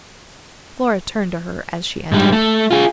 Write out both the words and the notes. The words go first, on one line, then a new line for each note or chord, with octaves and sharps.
Flora turned to her as she entered.
G#2 G3
A3
F4 G#4